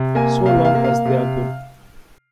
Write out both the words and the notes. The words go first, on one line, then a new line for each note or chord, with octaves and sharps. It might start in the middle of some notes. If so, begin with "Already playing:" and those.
So long as they're good.
Already playing: C3
A#3 G#5
C3 F5
F5
A#3
F5
C3